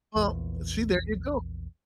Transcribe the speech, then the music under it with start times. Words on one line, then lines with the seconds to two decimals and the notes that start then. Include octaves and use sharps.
Well, uh, see, there you go.
0.16 A#1 E2